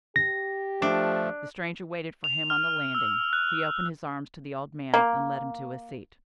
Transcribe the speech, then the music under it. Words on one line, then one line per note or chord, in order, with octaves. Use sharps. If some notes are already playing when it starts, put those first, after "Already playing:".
The stranger waited for him on the landing; he opened his arms to the old man, and led him to a seat.
G4 A#6
F3 A3 D4
F7
F6
E6
F#6
A#3